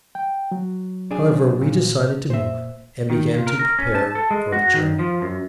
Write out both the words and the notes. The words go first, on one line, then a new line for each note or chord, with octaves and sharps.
However, we decided to move, and began to prepare for the journey.
G5
F#3
D4 G#4
A#2
A#2 C5 E5
D#3
A#2
A#4
A#4
C#4
A5
A4
G#3
F#4
D#3
F3
F#2